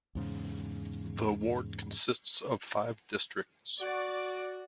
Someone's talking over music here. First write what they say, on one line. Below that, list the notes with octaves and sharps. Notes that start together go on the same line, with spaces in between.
The ward consists of five districts.
E2 G#2 C#3
F#4 D5